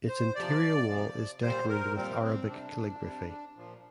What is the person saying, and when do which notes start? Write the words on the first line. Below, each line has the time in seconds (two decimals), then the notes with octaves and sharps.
Its interior wall is decorated with Arabic calligraphy.
0.09 C5
0.35 C3 F3 D5
0.88 C3 F3
1.42 A#2 G3 C5
1.69 A#4
1.95 A#2 G3 C4
2.22 C4
2.49 C3 G3 D4
3.02 C3 G3
3.56 A#2 F3